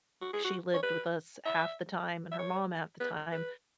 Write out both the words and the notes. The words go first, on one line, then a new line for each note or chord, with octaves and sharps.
sh she lived with us half the time and her mom half the time,
F#4
G#4
F#4
C#5
B4
E5
E5
C#5
B4
B4